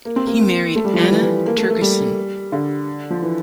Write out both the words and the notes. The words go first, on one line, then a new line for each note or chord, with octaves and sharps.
He married Anna Tergersen.
A#3
C4
A#3
A3
G3
F3
G3
E3
E3
A#3
A3
A3
G3
D3
F3
E3